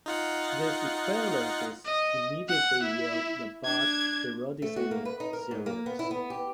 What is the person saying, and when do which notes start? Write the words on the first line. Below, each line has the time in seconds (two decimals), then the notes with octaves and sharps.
These equivalences immediately yield the Bott periodicity theorems.
0.06 D#4 F4 F#5
1.85 D#5
2.48 F#5
2.83 E4
3.65 D4 G#6
4.62 A3
4.76 F#4
4.91 A#3
5.05 B4
5.20 D#4
5.33 A#4
5.51 G#2
5.66 A#3
5.86 B3
5.99 E4
6.11 B3
6.30 G4